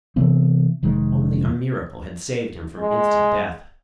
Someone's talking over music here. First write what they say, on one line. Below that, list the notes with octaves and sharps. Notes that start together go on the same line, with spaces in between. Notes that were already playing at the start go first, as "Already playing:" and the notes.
Only a miracle had saved him from instant death.
C3 E3 B3 C4
F1 D#3 G#3
G#3